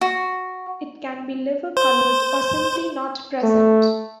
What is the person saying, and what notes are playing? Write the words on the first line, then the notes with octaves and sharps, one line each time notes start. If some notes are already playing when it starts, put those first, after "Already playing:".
It can be liver colored or simply not present.
F#4
C5
A3